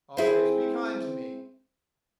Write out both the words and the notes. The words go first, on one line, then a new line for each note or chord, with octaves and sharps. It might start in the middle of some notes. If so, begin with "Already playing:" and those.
Always be kind to me.
C4 E4 G#4